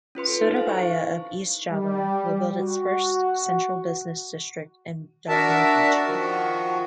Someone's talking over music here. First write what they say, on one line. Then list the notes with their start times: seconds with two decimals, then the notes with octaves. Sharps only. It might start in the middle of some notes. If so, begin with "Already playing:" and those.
Surabaya of East Java, will build its first central business district in Darmo region.
0.15 C#4 F4 B4 C6
0.28 A4
0.41 D#4 C5
0.56 F5
0.69 E4 C#6
1.72 G3
2.55 F#4
5.28 D4 F#4 A#4 E5 A5
6.07 D#3 F3 F#4